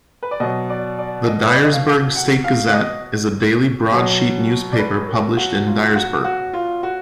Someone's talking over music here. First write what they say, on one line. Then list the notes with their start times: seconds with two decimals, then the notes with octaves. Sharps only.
The "Dyersburg State Gazette" is a daily broadsheet newspaper published in Dyersburg.
0.23 B4
0.31 D5
0.40 B2 F#3 D#5
0.70 D5
0.99 D5
1.27 D#5
1.47 B4
1.55 D5
1.64 D#5
1.72 F5
2.16 F#5
2.44 F5
2.67 F5
2.74 D#5
3.91 B2 F#3
4.73 D5
4.79 B4
5.08 A#4
5.37 F#4
5.67 F4
5.96 F#4
6.24 F#4
6.53 F4
6.83 F#4